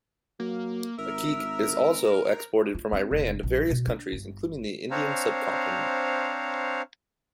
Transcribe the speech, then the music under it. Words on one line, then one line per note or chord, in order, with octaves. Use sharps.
Akik is also exported from Iran to various countries including the Indian subcontinent.
F#3 A#3
G#1 A#4 E5
F4
C4
F1
A#1
B2
D4
G1
C4 D4 C5 C#5 F5 A#5